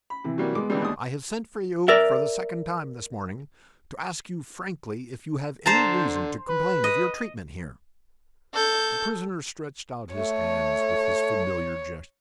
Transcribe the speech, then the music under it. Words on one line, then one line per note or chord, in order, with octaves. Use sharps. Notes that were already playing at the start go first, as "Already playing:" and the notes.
"I have sent for you, for the second time this morning, to ask you frankly if you have any reason to complain of your treatment here?" The prisoner stretched out his hands with his familiar gesture.
B5
C3 E3
F#3 G3 A#3
G#3 B3 D6
D3 E3 G3
D#2 D4 D#6
A#4 D5 E5
D3 C5 A5 A#5
B4
D#5
A4 G6
A3 C#5